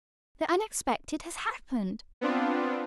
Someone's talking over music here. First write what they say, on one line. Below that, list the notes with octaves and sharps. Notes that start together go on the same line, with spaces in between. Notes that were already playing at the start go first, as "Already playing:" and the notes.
"The unexpected has happened!"
B3 C4 D4 F4